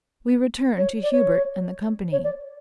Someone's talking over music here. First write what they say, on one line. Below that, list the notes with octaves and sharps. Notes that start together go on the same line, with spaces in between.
We return to Hubert and the company.
C#5
D5
C#5
C#5
D5